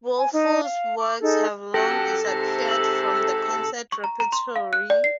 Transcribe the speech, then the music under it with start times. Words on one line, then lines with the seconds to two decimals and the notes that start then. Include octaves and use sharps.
Woelfl's works have long disappeared from the concert repertory.
0.18 G#5
0.32 D#4
0.64 F5
0.98 D6
1.20 D#4 G#4 A4
1.74 F#2 G4 A4 F#5 A#6
2.25 G#2 C3 A#6
2.69 E6 F#7
3.92 C#6
4.04 A#5
4.20 A#5
4.32 C6
4.56 F5
4.73 F#6
4.90 D5
5.04 C7